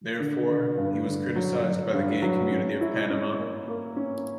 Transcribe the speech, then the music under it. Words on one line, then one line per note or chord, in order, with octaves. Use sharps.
Therefore, he was criticized by the gay community of Panama.
D3
D3
G2
D3
F#3
F#3
G2
F#3
C#4
E4
C#4
A#3
A#3
C#4